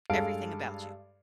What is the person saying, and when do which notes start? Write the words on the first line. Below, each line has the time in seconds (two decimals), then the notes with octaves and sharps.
everything about you.
0.10 G2 G#3 A4 F5 A5 D7